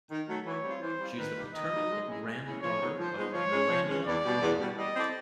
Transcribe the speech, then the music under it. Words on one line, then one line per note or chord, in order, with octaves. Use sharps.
She is the paternal granddaughter of Melania the Elder.
D#3
F#3 A3
E3 C#5
G3 C4 F4
E3 C5
G3 C4 F4
D#3 B4
G3 A#3 D#4 G4
D#3 D#5
G3 A#3 D#4 G4
G#3
C#4 E4 G#4
G#3
C#4 E4 G#4
F3 C#5
G#3 B3 D#4
F3 C5
G#3 B3 D#4
F3 C#5
G#3 C#4
F3
G#3 C#4
E2 D5
B2 G3
E2
B2 G3
G3 D#5
C4 E4 A4 D5